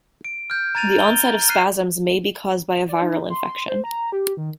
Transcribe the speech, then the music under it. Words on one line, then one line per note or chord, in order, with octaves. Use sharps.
The onset of spasms may be caused by a viral infection.
D7
F6 G6
A#5 G#6 A6 D#7 F7
G7
A#5
F6 F#6 C7 D#7
D5
D#4
C6
C5
A#5
G4
D#3